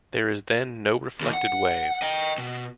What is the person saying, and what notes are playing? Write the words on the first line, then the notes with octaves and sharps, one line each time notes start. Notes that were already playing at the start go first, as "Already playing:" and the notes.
There is then no reflected wave.
D#2
F#5
D#5 G5
B2